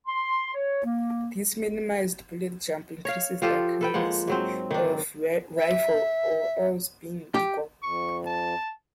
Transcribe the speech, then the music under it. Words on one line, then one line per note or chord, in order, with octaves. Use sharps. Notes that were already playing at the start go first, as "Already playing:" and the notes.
This minimized bullet jump increases the accuracy of the rifle, all else being equal.
C6
C#5
A#3
C#5 F5
F3 F4 G4 A4
A4 B4 G5
F3 G#3 A#3 F#5
G#2 F#3 C4
D#3 D4
E5
G4
F2 C#6
A5